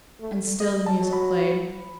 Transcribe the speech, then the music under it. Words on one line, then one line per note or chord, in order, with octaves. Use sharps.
And still the music played.
A3
D#5
A5
F#3
B5